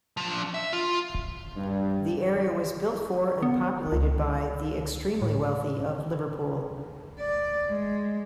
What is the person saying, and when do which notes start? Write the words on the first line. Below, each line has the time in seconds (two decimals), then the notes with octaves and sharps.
The area was built for and populated by the extremely wealthy of Liverpool.
0.17 F3 D4
0.54 E5
0.73 F4
1.56 G2
3.43 B3
3.92 C#2
5.22 A2
7.19 D5
7.70 G#3